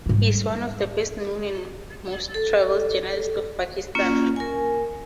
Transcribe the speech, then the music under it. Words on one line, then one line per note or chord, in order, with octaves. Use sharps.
He is one of the best known and most travelled journalist of Pakistan.
G#2 G3
A4
A#3 C#4 F4
A#4 G#5